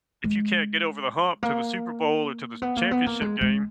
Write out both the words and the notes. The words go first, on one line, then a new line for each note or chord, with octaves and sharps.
if you can't get over the hump to the Super Bowl, or to the sh championship game,
G#3
A#3
B3
A#3
B3
A#3
G#3
G#3